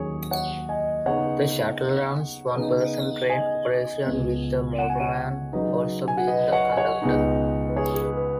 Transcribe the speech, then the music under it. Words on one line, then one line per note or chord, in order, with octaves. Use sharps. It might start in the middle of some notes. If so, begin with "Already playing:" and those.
The shuttle runs One Person Train Operation with the motorman also being the conductor.
Already playing: D#2 D#3 F#3 C#4 G#4 C#5
C#5 F#5
D#5 G#5
C#3 B3 D#4 C#5 F#5
C#3 B3 D#4
D#5 G#5
C#2 B2 G#3 B3
F#5
G#5
C#5 F#5
C#3 F#3 D#4 B4 D#5
G#5
F#5
B4 D#5
C#5 F#5
G#5
C#5 F#5
C#2 B2 G#3 B3 D#4
B4
G#4 C#5
G#4
B4
B4